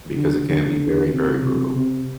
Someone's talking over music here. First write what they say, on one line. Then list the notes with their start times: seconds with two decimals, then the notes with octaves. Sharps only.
because it can be very, very brutal.
0.16 D3
0.48 D3
1.12 C3
1.44 C3
1.76 C3